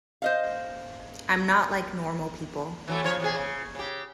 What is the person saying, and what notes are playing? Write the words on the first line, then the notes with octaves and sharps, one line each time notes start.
I'm not like normal people.
C5 D#5 F5
E3 F#3 A3
C#3 F3 C#5
E2 C3 G#4
C#3
C#3 G4